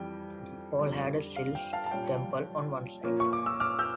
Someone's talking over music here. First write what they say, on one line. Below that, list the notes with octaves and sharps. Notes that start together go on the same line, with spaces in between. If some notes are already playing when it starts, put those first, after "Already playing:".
All had a sylised temple on one side.
Already playing: F2 E3 G3 G5
F2 D3 G3
F5
G5
F5 A5
A5
A#2 G3 C#4 G5
A#2 F3 A#3 C#4
C#6
D6
E6
D6 F6
E6 G6